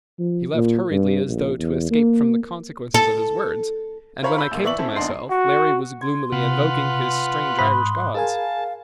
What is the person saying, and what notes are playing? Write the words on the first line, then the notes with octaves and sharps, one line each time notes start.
He left hurriedly, as though to escape from the consequences of his words, and when I came to myself Larry was gloomily invoking his strange Irish gods.
F3
A#2
G2
A#1
E2
A#3
A4
F4 C5 C#5 A#5 B5
B5 E6 G6
A#1 A#2
E3 D5 E5 C#6 F#7
C4 C#4 E4 A4 C5
A#1 E2 D4 D#4 C6 C7
F#4
C6 G#6
C3 F4 B4 F#5
G#2 B5 D#6 F#6
G#4 A#4 F5 G#5 A5